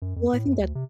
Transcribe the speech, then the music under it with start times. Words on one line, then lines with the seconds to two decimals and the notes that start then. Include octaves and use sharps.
Well, I think that
0.02 F#2
0.16 F2
0.33 A2
0.46 F#2
0.59 D2
0.75 C3